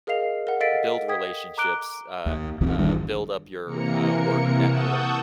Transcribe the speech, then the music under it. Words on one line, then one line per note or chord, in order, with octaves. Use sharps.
build relationships, uh uh, build up your, uh, work network,
G#4 A#4 D#5 F5 C7 F7
A#4 F#5
A4 D#5 F5 A6 B6 D7
G5 D#6 G#6 B6
A#5 D6 F#6 D7 G7
D#2
A#1 E2 E3 C4
G1 D#3 G3 D4
C3 E3 A#3 A#4 C#7
F#5 A5 C#6 D#6 E6 G6